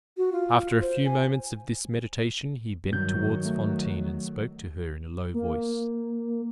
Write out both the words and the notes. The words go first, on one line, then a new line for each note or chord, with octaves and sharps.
After a few moments of this meditation he bent towards Fantine, and spoke to her in a low voice.
F#4
F4
C5
G#5
G2 D#3 F#3 G6
A3
A#3